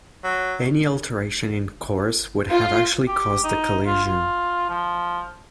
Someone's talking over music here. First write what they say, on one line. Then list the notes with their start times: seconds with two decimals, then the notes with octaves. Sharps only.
Any alteration in course would have actually caused a collision.
0.24 F#3
2.51 F4
3.08 G4
3.44 D#4
3.86 F4
4.05 F4
4.69 F3